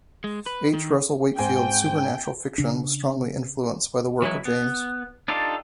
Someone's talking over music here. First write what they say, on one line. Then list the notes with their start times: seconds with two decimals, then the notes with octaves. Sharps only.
H. Russell Wakefield's supernatural fiction was strongly influenced by the work of James.
0.24 G#3
0.46 B4
0.74 D#3
1.38 G#2 C4 G5 G#5
2.58 C#3 D4
4.22 E3 F#3 G#3 E4
4.45 B3
5.28 D4 D#4 F4 G4 A4